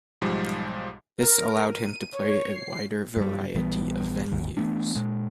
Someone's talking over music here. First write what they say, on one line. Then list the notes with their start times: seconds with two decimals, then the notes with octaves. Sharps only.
This allowed him to play a wider variety of venues.
0.21 B1 G#2 F3 G3 G#3
1.18 A#4
1.72 D#7
2.13 C#5
2.52 C7
3.17 G2 G3
3.55 A#1 E3 G3 B3
4.32 D#1 G#1 D#2
4.57 E3 A3 B3 D4
4.95 A#2 G#3